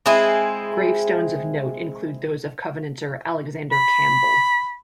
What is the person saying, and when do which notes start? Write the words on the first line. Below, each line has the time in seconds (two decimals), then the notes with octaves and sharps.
Gravestones of note include those of Covenanter Alexander Campbell.
0.06 G#3 C4 E4 G#4
3.72 B5